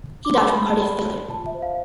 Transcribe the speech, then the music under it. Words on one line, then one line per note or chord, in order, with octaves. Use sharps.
He died from a cardiac failure.
D6
G4 C6
B5
B4
A5
D5 B5
G4
F4 A5
E5
C5
F5